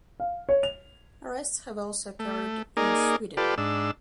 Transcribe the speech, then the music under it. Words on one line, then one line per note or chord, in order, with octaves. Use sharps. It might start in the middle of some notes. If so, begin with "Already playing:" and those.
Arrests have also occurred in Sweden.
F5
C#5
F7
A3
A#3 D#4 G#4 A#4 D5
F4 G4 A4 B4 D5
G#2 D4 E6